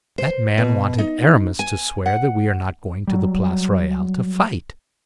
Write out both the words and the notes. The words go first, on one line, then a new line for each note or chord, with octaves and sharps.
"That man wanted Aramis to swear that we are not going to the Place Royale to fight."
C5
B2
D#4
G#5
F#5
F#3 G3